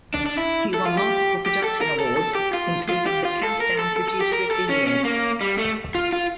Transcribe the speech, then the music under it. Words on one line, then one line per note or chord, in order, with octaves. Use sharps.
He won multiple production awards, including the Countdown Producer of the Year.
D4
D4
E4
A4
F4
G4
G4
A4
A#4
A4
A4
G4
F4
F4
G4
F4
A4
A#4
A4
A4
A4
G4
A#4
A4
C#4
C#4
A#3
G3
A3
F4
F4